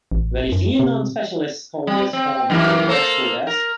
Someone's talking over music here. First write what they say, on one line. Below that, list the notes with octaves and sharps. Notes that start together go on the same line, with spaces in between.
Very few non-specialists call this form a pedestal desk.
A1
F#2
C3
G3
C4
F#2 E3 A#3
A#3 A4 C5
A#4